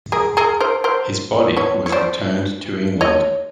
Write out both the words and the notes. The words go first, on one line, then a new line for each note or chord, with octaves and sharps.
His body was returned to England.
G#4 A#4
G#4 A#4
A#4 C5
A#4 C5
B4 C#5
C#5
C5 D5
C#5 D#5